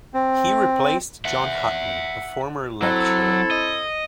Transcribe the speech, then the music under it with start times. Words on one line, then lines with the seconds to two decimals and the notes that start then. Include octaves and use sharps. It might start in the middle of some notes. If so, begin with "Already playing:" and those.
He replaced John Hutton, a former lecturer.
0.14 C4
1.25 E5 F#5
2.82 F#3 C4 E4 A4
3.51 D#5